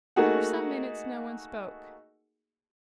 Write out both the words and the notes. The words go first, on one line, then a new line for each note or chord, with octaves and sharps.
For some minutes no one spoke.
A3 A#3 D#4 F#4 G#4 F#5